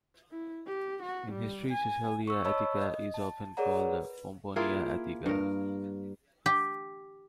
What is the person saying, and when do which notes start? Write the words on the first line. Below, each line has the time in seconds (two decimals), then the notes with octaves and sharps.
In history Caecilia Attica is often called Pomponia Attica.
0.31 E4
0.67 G4
1.02 F#4
1.32 G3
1.70 G#5
2.27 C#6 E6
2.45 C#5 D#5 A5 B5 C#6 E6
2.82 D#5
3.14 A5
3.57 G#4 A#4 C#5 D5 F#5 A#5
3.80 B4
4.56 A#3 E4 F4 G#4
5.26 G2 A#4
6.46 G4